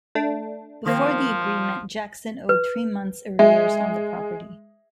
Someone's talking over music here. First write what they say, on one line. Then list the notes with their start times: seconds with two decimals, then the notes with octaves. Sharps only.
Before the agreement, Jackson owed three months' arrears on the property.
0.15 A3 D4
0.86 D#3 F3 A#3 C4
2.49 B4
3.39 G#3 E5